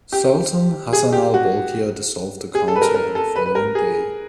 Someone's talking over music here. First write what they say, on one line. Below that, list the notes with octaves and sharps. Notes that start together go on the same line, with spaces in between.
Sultan Hassanal Bolkiah dissolved the Council on the following day.
G4
G#4
G4
F#4
G#4
A4
B4
A#4
A#4
A4
B4
B4
A#4
G#4